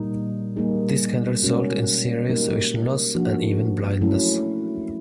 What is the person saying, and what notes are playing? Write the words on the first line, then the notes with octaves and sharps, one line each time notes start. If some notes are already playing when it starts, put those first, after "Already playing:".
This can result in serious vision loss and even blindness.
Already playing: A#2 G3 A#3 D#4
G3 A#3 D#4 G#4
B2 G#3 C#4 F#4 A#4
F#3 A#3 D#4 G4 A#4
F3 A#3 D4 F#4
F#3 A3 C#4 E4 A4